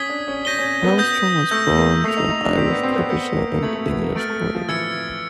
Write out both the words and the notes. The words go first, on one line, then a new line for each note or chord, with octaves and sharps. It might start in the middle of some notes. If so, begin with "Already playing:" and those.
Armstrong was born to an Irish publisher and English poet.
Already playing: C#4 D#6 G#6 B6 D#7 G7
D4
C#4
C#4 G6 A#6 D#7 G7
C#4
B3
D#6 G6 A#6
A3 C#6 E6 G6 A#6
A#3
A3 G6 C7 F7
D#4
D#4
D4
C4 G6 B6 D7 F7
B3
C4
B3
B3 E6 G6 A#6 C#7
A#3
A#3
A3 G#6 C#7 F#7
A3
B3
A#3
A3 F6 A6 D7
A3
F3
E3 E6 G#6 C#7